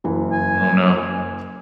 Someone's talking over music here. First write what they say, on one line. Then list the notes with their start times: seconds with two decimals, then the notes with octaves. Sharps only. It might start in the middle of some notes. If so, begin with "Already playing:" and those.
Oh, no.
0.04 F#1 E3
0.32 G#5